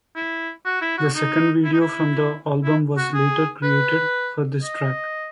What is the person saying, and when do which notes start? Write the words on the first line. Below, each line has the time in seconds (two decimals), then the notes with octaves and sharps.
The second video from the album was later created for this track.
0.16 E4
0.65 F#4
0.81 E4
0.98 F#4
1.15 D#4
1.64 E4
1.73 D#4
1.81 E4
2.64 E4
2.97 F#4
3.14 G#4
3.63 B4
4.62 D#5